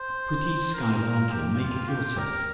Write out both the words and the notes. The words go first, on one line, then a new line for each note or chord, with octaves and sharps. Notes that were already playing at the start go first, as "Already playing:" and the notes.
A pretty skylark you'll make of yourself!
Already playing: C5
A#4
G4
F4
G4
A#4